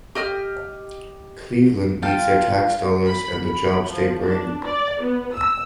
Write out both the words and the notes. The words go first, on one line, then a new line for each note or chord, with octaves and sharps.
Cleveland needs their tax dollars and the jobs they bring.
G4 D#5 F6
F4 F5 G5 A5
B5
B5
F3
D4
D5
B3
E6